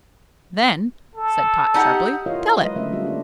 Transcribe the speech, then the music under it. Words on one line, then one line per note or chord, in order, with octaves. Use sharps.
"Then," said Tot, sharply, "tell it!"
A4
D#4 G4 F#5
E4 F4 A#4 C#5 D#5 F5
F#3 G#3 A#4 B4 D#5
D3 A3 C#4 D#5 E5
G3 A#3 F4 F#4 A4
D4